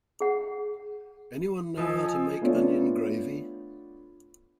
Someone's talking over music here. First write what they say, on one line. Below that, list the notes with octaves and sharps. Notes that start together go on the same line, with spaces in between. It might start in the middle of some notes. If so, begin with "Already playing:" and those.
Anyone know how to make onion gravy?
G#4 F#5
F3 A4 D#5 G#5
A3 B3 D4 F4 C#5